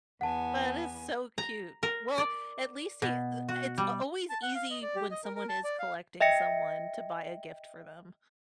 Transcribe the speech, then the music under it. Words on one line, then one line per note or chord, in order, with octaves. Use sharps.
That is so cute. Well, at least he eh it's a always easy when someone is collecting someone to buy a gift for them.
E2 B3 F#5 G#5 A5
A#5
A#4
D5
B2
F#4
G3
A5
F#5
F5
D#5
D5
G4
D#5
A#4
A#4
A5
D5
F5
D#5 E5 G5 A#6 C#7